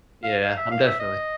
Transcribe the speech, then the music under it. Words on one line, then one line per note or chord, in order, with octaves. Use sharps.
Yeah, I'm definitely
F5
F5
E5
F5
E5
D#5